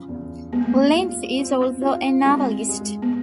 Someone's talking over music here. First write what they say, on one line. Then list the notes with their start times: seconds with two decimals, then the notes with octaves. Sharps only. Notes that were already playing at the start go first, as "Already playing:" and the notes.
Lynch is also a novelist.
Already playing: C#3 F3
0.09 E2
0.53 G#3 B3
0.61 A#3
0.69 B3
0.96 F4
1.39 C4
1.81 F4
2.25 G#3 C4
2.69 G#3
3.02 B3